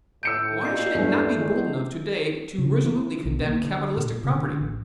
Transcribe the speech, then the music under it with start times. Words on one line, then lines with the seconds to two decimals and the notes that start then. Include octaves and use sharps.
Why should it not be bold enough to-day to resolutely condemn capitalistic property?
0.23 A2 E6 G6 C#7 D7
0.61 A#2 D#5 G6 C7
0.95 E2 G2 A#2 A3
1.37 E3 G#3
2.58 C#3
2.84 E3
3.25 B1
3.46 A#3
3.63 D3
3.97 A#2
4.24 C#3
4.36 D3
4.61 A1